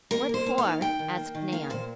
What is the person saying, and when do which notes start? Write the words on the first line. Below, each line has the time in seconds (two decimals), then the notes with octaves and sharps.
"What for?" asked Nan.
0.11 A#3 A#4
0.29 A#3 C5
0.46 A#3
0.58 F5
0.64 D#3
0.81 D#3 G5
0.99 D#3
1.17 A#3
1.35 D#3
1.52 A#3 F5
1.70 A#2 C5